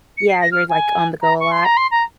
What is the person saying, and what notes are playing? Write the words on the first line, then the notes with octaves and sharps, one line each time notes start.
Yeah, you're, like, on-the-go a lot?
C#7
C7
A#6
F6
G#5
A#5
C#6
C6
A#5
C6
A#5